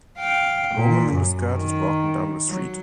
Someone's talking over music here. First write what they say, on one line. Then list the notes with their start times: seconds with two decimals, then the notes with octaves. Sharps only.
A woman in a skirt is walking down the street.
0.18 F5 G5
0.75 A#2
1.13 F#2
1.54 D#3
2.49 F#3